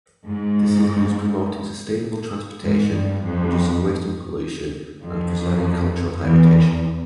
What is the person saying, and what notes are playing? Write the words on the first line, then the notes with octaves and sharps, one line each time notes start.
This includes promoting sustainable transportation, reducing waste and pollution, and preserving cultural heritage.
G#2
G#2
G2
F2
F2
E2